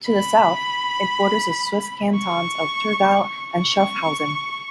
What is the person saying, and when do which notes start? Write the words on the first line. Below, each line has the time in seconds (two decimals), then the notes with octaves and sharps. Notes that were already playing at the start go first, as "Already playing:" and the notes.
To the south it borders the Swiss cantons Thurgau and Schaffhausen.
0.10 B5
2.16 C#6
3.53 C#6